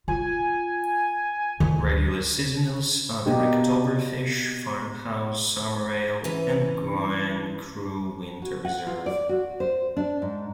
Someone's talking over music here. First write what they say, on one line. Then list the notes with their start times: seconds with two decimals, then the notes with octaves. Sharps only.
Regular seasonals are the Oktoberfish, Farmhouse Summer Ale, and Grand Cru Winter Reserve.
0.08 F4 G#5
1.60 D2 D#3
3.26 B2 A#3 D4 D#4 G4
6.24 E3 C#4
8.42 F#4
8.65 F#5
8.87 F4
9.06 D5
9.29 F#4
9.60 C5
9.97 D4
10.22 G#2